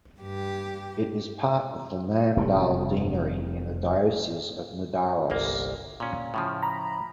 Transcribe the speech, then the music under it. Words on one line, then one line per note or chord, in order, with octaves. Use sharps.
It is part of the Namdal deanery in the Diocese of Nidaros.
G2 G4
F1 C3 G3 A3
G1 C2 A#3
A#2 C#4
A2 C#3 F3
A#5 B5